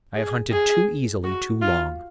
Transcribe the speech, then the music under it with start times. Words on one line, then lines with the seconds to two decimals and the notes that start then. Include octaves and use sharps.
I have hunted too easily too long.
0.15 G#4
0.52 G#4
1.25 F#4
1.62 F4